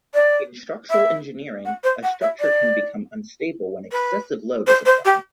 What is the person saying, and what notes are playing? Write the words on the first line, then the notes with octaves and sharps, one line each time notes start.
In structural engineering, a structure can become unstable when excessive load is applied.
D5
E5
F#5
C5
F#5
E5
D5
B4
C5
C5
G4